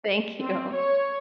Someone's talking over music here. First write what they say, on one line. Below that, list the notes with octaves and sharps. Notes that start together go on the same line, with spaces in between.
Thank you.
C4
C#5